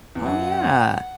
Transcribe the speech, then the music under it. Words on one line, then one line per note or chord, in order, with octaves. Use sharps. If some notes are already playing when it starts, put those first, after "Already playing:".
Oh, yeah.
E2
F#2 F#5